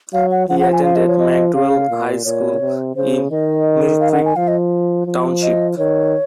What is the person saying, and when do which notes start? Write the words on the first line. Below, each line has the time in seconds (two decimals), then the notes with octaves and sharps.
He attended McDowell High School in Millcreek Township.
0.14 F#3 F5
0.31 F#5
0.49 F3 F#5
0.60 F#5
0.73 G#5
0.84 F5
0.95 D#5
1.07 C#5
1.19 D#5
1.54 C#3 F5
1.90 A#2
2.25 A#2 C#5
2.60 C3
2.96 C#3 C5
3.31 D#3 D#5
4.01 F5
4.13 F#5
4.25 G#5
4.36 F3 F5
4.48 D#5
5.07 F3
5.42 D#5
5.77 D#3 C#5